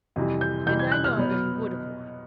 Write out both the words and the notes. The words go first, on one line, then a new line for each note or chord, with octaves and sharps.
And I know that he would have won.
F2 C3 E3 G3
G6
F2 C3 E3 G3 G6
G#6
F#6
F6
B2 F#3 B3